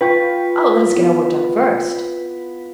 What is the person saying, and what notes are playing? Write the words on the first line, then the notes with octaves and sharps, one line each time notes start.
'Oh, let us get our work done first.'
F4 B4 F5 G5 C#6
B3 E4